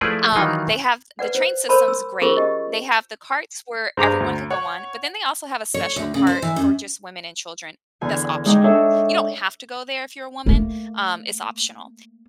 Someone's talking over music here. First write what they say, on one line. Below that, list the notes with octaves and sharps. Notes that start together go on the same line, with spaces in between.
Um, they have the train system's great. They have the carts where everyone could go on, but then they also have a special cart for just women and children that's optional. You don't have to go there if you're a woman, um, it's optional.
F3 A3 E4 G#4 B4 D5
D#3 E3 F#3 D#4 F4
B4 D5 F#5
C5
A#4 C5 C#5 A5 B5 C6
E6
C#4 F4 G#4 A#4 C5 C#6
G4 D#5
G2 G#4 C5 A#5 D6
D2
C#5 F#5
C#5
D2
C#3
C5
E3
F#2
E2 D3 G#5
G#3 D#4 D5 G5 G#5
D4 A4 C#5 D#5 E5
A3 A#3